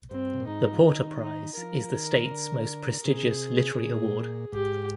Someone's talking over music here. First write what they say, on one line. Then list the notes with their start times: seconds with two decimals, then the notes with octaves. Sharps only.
The Porter Prize is the state's most prestigious literary award.
0.11 G2 C4
0.34 C3
0.40 A#2
0.47 G#2 D#4
0.73 F3
0.84 D#3 D#4
1.21 D#4
1.57 F3 A#4
1.95 D#3
2.26 C3
2.31 D3
3.05 C3 G#4
3.79 A#2
4.52 G#2 G4